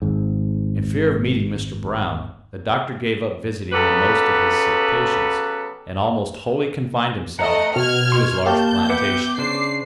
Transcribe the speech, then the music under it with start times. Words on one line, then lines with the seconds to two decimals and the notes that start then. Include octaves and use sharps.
In fear of meeting Mr. Brown, the doctor gave up visiting the most of his sick patients, and almost wholly confined himself to his large plantation.
0.02 G#1 G#2
3.73 C#3 F#3 B3 G4 A4 B4
7.39 A3 D#5 F#5 A#5
7.76 B2 F6 G#6
8.12 C6 C#6
8.46 A#3 G4 F5 A5 G6
8.90 B3 E5 F#5 G5 D6
9.38 C#3 D4 C5 C7